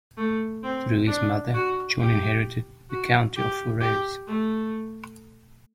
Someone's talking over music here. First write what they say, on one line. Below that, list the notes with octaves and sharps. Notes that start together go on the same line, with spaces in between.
Through his mother, John inherited the County of Forez.
A3
C4
D4
F#4
G4
F#4
G4
G4
A3